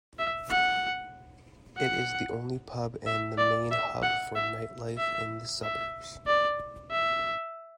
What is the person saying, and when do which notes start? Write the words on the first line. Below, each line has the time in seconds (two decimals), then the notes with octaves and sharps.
It is the only pub and main hub for nightlife in the suburb.
0.19 E5
0.50 F#5
1.78 F#5
3.06 E5
3.38 D5
3.71 E5
4.02 F#5
4.35 E5
4.98 E5
5.63 E5
6.27 D5
6.91 E5